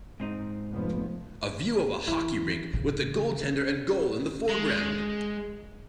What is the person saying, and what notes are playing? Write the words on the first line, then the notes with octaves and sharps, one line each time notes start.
A view of a hockey rink with the goaltender and goal in the foreground.
G#2 C4 D#4
F1 F3 B3
E3 E4
A1 C#3 E3
G#3